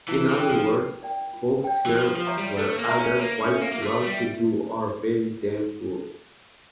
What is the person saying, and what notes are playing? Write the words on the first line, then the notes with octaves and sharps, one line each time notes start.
In other words, folks here were either quite well-to-do or very damn poor.
E3 E4
E3
G4 D5 G5
F3
E4
A#4 D5 G5
F4
C#5 G5
E3
F3 G4
F3
C#5 E5 A#5 C#6
G3
A3 A4
A#3
E5 A#5 C#6
C#4
A#3 F4
C#4
A4 E5
A#3
A#3
A3 A4
G3
E5